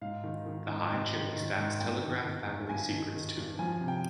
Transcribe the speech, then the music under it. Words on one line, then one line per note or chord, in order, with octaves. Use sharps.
The high chimney-stacks telegraph family secrets to him.
G#2 F5
D#3
D#3
G#2
G#2 G5
D#3
D#3
G#2
G2 G5
D#3
D#3
G2
G2 G#5
D#3
D#3
G2
F3 G#5
C3
G5